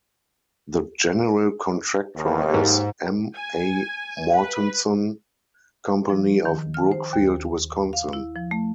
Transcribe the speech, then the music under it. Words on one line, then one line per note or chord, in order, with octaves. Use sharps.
The General Contractor is M. A. Mortenson Company of Brookfield, Wisconsin.
D#2
G#2
G#5
B4
F3
D#3
F6
C5
D#2
F5
E4
F3
A3